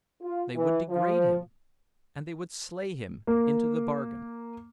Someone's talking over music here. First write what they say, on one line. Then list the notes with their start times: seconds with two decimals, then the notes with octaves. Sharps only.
They would degrade him and they would slay him into the bargain.
0.22 F4
0.56 E3
0.90 F3
3.27 A#3